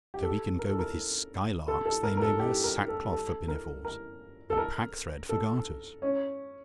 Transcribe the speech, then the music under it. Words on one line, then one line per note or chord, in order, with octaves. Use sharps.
So he can go with his Skylarks they may wear sackcloth for pinafores, and packthread for garters.
G4
A4
A#4
A4
A#4
A4
A4
A#4
A#4
A4
G4
A#4
A4
A4
A#4
A#4
A4
A#4
A4
C#4